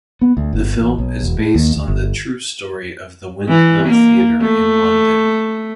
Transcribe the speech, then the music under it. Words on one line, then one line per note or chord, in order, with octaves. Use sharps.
The film is based on the true story of the Windmill Theatre in London.
B3
D2
G1
A1
B1
E1
A2
D#2
D2
G1
E3
A#3
A3